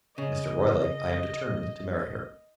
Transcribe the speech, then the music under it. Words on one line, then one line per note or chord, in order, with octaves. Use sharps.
Mr. Roylake, I am determined to marry her.
C#3 D#5